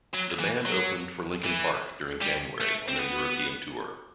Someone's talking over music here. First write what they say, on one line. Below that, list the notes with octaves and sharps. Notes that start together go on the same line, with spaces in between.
The band opened for Linkin Park during January on their European tour.
F#3
E3
F#3
E3
G3
A3
C4
B3